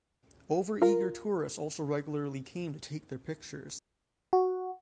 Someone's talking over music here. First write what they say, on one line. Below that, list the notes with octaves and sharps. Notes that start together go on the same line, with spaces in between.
Overeager tourists also regularly came to take their pictures.
F4 A#4
F#4